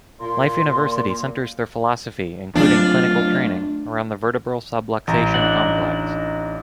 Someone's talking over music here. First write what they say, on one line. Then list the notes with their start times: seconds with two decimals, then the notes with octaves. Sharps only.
Life University centers their philosophy, including clinical training, around the vertebral subluxation complex.
0.21 A#2 C6
2.55 F#3 A3 C4 D4 F4
5.07 A1 A#5
5.34 D4 D#4 F#5